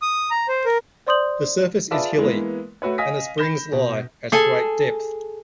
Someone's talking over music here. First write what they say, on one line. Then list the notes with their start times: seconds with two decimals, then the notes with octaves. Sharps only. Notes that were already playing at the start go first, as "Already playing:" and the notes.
The surface is hilly, and the springs lie at a great depth.
0.02 D#6
0.31 A#5
0.48 C5
0.65 A#4
1.07 C5 D5 C6 D#6 G6 F#7
1.91 F4 G#4 B4 D5 E5 A5
2.18 E3 G#3 A#3 B3
2.82 A3 F#4 B4 C#5
2.98 D#5 F5 G#5 D#6 A#6 B6
3.38 B5 G6 A#6 E7 G7
3.72 B2
4.32 G#4 A4 G#5 A5